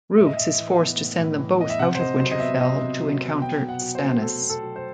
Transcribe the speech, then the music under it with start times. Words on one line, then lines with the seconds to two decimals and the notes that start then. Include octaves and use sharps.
Roose is forced to send them both out of Winterfell to encounter Stannis.
0.18 A2 E5
0.26 D#5
0.37 A2 E5
0.58 E3
0.79 B3
0.98 A2
1.18 A2
1.38 E3
1.59 B3 D#5
1.70 E5
1.79 C3 F#5
1.95 C5
1.99 C3 D#5
2.20 F#3 C5
2.31 D#5
2.40 B3 E5
2.60 C3 D#5
2.81 C3
3.01 F#3
3.21 B3
3.41 B2 G5
3.62 B2
3.69 F#5
3.81 F#3
3.95 C5
4.02 A3
4.22 B2 A4
4.43 B2
4.49 A4
4.63 F#3
4.76 C5